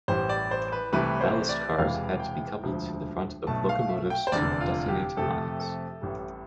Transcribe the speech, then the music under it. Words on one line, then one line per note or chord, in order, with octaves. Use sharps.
Ballast cars had to be coupled to the front of locomotives to detonate mines.
A1 A2 E3 G3 C5
D5
C5
B4
C2 C3 E3 A3 B4
C5
D5
E1 E2 C3 E3 F5
G5
E1 D2 D3 F3
B1 B2 A3 A5
F5
E5
G5
C5
F1 E2 D3 D5
F4
G4
F2 C3 F3 A3 A4
A4
A1 A2 G3